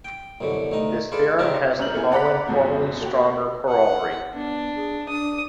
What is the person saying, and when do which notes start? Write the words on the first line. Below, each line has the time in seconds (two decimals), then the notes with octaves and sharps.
This theorem has the following formally stronger corollary.
0.05 G5
0.41 C2 F#2 B2 D3
0.71 D2 D#3 D#4 D#6
1.12 F4 G#4 A4 B4 D5
1.39 C#3 G#3 C4 D4 D#4 G4
1.79 C2 C#4 A#5 F6 G6 F#7
1.94 A#3 B3 E4 G#4 A#4
2.12 D5 F#5 A#5 B5 F#6 B6
2.47 F#1 C#2 B2 F3
3.01 A#3 F#4 G4
3.68 F#5
4.34 B3 D4
4.76 G#4
5.09 D4 D#6